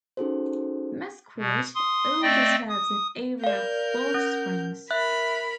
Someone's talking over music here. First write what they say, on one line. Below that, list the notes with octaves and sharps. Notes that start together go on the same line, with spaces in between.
Mesquite also serves an area of Balch Springs.
C#4 D#4 F#4 G#4 A4 C5
B2
C6 D#6
A3 C4 D5 D#5 G5
D#6
A#4 D5 F5 G6
C#4
A#4 E5 B5 F#6